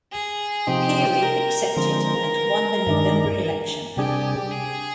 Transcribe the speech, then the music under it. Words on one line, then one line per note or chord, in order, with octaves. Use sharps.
Peery accepted, and won the November election.
G#4
C3 F3 C4 D#4 G4
A#4
D3 F3 G#3 C4 A#4
G2 D#3 G#3 D4
C3 G3 D4 G4 G#4
G#4